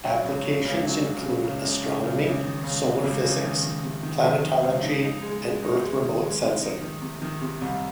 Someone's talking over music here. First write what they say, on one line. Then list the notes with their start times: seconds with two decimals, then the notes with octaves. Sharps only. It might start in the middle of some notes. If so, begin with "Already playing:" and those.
Applications include astronomy, solar physics, planetology, and Earth remote sensing.
0.05 F#3
0.24 C#2
0.45 C#3
0.65 C#2
0.85 F#3
1.05 C#2
1.24 C#3
1.44 C#2
1.65 C#2
1.84 C#3
2.04 C#2
2.25 C#2
2.44 D#3
2.64 C#2
2.84 C3
3.04 C#2
3.24 C#2
3.43 D#3
3.63 D#3
3.83 C3
4.03 D#3
4.23 D#3
4.43 D#3
4.63 C#2
4.83 D#4
5.03 D#4
5.22 G#3
5.42 G#3
5.62 D#4
5.82 G#3
6.03 D#3
6.22 G#3
6.41 C3
6.62 D#4
6.82 D#3
7.02 C3
7.22 D#3
7.41 C3
7.62 C2